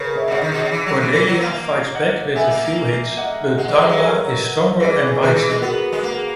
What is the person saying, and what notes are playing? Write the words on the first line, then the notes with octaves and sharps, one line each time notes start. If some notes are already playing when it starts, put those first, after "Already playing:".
Cordelia fights back with a few hits, but Darla is stronger and bites her.
Already playing: C#3 A#4 B4 C#5
C#5 E5
B2
C#3 D#5 F#5
D#3
B2
C#3
E3
F#3
E3
E3
F#3
A#3
D#5 F#5
B3 E5 G#5
A#3
A#3
D#5 F#5
G#3 D#5 F#5
F#3 B4 D#5
G#3 E5
F#3 B4 D#5
A#4 C#5
E3 G#4 B4
G#4 B4
D#3 G#4 B4
E3
G#3
B3 F#4 A#4
G#3
A#3